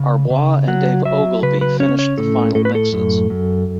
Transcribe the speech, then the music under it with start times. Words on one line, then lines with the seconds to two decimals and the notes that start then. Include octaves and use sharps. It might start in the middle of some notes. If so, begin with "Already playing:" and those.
Arboit and Dave Ogilvie finished the final mixes.
Already playing: C#3
0.30 C#3
0.68 F#3 F#5
1.05 F#3 E5
1.43 C#3 B4
1.61 B4
1.80 C#4 C#5
1.99 C#5
2.18 A2 A4
2.55 A2 A4
2.65 B4
2.75 A4
2.92 F#2
3.30 F#2